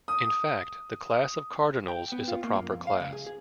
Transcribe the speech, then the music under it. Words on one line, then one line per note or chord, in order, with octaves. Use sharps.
In fact, the class of cardinals is a proper class.
D#6
G5
B3
F4
A#3
F#2
F2
F5
C#2
G#4
G#4